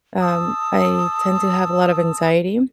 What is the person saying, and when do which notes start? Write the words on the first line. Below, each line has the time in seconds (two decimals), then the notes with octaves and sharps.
Um, I tend to have a lot of anxiety
0.20 A5 D#6 E6